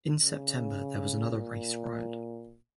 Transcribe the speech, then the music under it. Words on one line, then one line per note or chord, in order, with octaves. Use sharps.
In September there was another race riot.
C#3
A#2